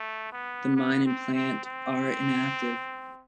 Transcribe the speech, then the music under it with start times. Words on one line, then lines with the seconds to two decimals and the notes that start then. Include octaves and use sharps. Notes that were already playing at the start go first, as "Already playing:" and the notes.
The mine and plant are inactive.
Already playing: A3
0.32 B3
0.76 B3
1.05 C4
1.34 C4
1.64 C4